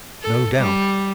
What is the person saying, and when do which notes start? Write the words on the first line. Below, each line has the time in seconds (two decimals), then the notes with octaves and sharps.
"No doubt."
0.22 A4
0.56 G3